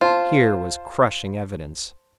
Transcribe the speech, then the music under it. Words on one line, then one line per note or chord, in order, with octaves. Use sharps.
Here was crushing evidence.
F4 C5 A5